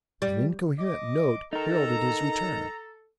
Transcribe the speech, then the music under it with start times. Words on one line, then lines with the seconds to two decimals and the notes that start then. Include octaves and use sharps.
An incoherent note heralded his return.
0.22 G3
0.79 D#5 D6
1.53 D#4 A4 A#4 A#5